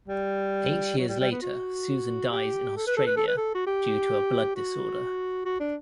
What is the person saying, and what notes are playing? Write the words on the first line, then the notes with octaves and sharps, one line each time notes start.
Eight years later, Susan dies in Australia due to a "blood disorder".
G3
F#3
G3
G3
B3
F#4
G4
A4
B4
A4
B4
A4
B4
A4
F#4
G4
F#4
F#4
D4